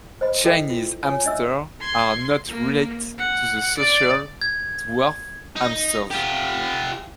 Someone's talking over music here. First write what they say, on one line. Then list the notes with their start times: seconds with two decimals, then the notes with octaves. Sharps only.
Chinese hamsters are not related to the social "dwarf" hamsters.
0.21 C5 D#5 B5
0.44 E4 A4 A#4 D#5 G5
0.70 F4
1.05 C#5 G#5
1.24 C#4 D4 D#5 E5 E6
1.80 C6 G#6
2.48 A#3
3.18 F#5
3.77 D5
4.41 G#6
5.56 D#4
6.10 F4 G4